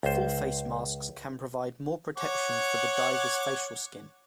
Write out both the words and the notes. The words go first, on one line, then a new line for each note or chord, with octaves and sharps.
Full-face masks can provide more protection for the divers' facial skin.
C#2 C5
C#5 F#5 D6